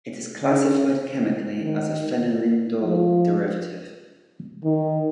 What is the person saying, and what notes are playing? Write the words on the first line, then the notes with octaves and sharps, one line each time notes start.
It is classified chemically as a phenylindole derivative.
C#3
D#3
F3
D#3